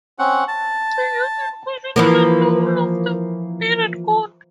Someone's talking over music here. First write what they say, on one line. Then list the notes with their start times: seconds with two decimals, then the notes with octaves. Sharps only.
The youth in question is a double of the bearded god.
0.19 C4 C#4 F#5
0.48 A5
1.96 E3 F3 A#3